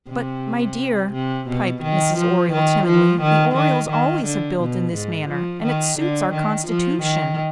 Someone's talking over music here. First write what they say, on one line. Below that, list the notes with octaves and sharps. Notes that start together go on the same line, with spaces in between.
"But, my dear," piped Mrs. Oriole timidly, "the Orioles always have built in this manner, and it suits our constitution."
C3
C3
B2
D#3
F3
D#3
F3
D#3
D#3
D#3
D3
B2
G#2
F3
D#3
D3
D#3
F3
D#3